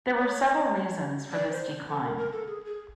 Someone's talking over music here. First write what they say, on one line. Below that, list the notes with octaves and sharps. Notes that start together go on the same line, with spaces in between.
There were several reasons for this decline.
C#5
D5
C5
A4
A#4
A#4
A4
G#4
G#4